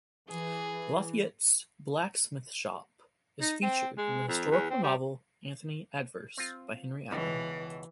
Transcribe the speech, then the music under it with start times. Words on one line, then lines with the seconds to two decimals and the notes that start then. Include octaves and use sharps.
Lafitte's Blacksmith Shop is featured in the historical novel "Anthony Adverse" by Hervey Allen.
0.29 E3 G#4
3.41 D#4
3.62 C4
3.98 G#3
4.28 F2
4.51 E2
4.70 C4
4.83 G3
6.37 C4 F4
7.13 C#2 B2 E3